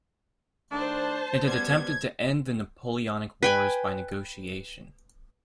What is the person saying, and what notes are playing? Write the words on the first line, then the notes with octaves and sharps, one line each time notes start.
It had attempted to end the Napoleonic Wars by negotiation.
D#3 A3 D4 C5 A5
F#2 G3 B3 G#6
B4 G5 G#5